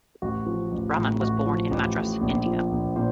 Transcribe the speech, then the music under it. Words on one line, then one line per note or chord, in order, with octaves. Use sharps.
Rahman was born in Madras, India.
A1 F#4
F3
A1
A2
A1 F#4
F3
A1
A2
A#1
F3
A#1
A#2 C5